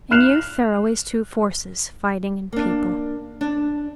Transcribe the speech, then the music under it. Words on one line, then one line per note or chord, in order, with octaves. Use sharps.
In youth there are always two forces fighting in people.
F6 F#6 C7 E7 F7
A#3 D4
D4